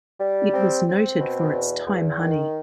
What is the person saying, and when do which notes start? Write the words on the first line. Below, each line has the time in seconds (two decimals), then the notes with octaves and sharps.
It was noted for its thyme honey.
0.20 G3
0.53 C4
0.87 C4
1.20 B2
1.53 E2
1.86 E2
2.19 D#3